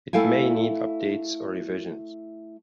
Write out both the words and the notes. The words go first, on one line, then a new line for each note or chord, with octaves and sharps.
It may need updates or revisions.
A3 E4 A4 F5 G5 G#5